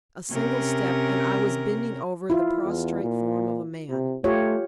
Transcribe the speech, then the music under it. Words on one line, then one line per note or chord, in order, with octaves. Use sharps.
A single step, and I was bending over the prostrate form of a man.
C3 C#4 A#4
E4 F4
E2
A#2
C3
A3 F4 G4 C#5